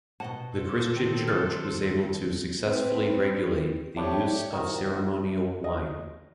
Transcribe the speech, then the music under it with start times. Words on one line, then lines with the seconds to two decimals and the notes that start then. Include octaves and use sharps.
The Christian Church was able to successfully regulate the use of ceremonial wine.
0.20 B2 D#5 F#5 A5
0.53 A4 C5
0.95 D#3
1.28 F6 F#6 A6
2.64 C4 B4
3.96 C2 A2 D4 G4 C#5
4.52 C2 D#3 F#4
5.64 D#5